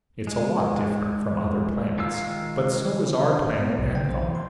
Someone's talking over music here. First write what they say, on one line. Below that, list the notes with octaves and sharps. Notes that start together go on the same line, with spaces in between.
It's a lot different from other planets, but so is our planet Anvhar.
G#3
D#3 G#3 F4 F5 E6
D4
A2
B3
B1
G5
C5
E3
C6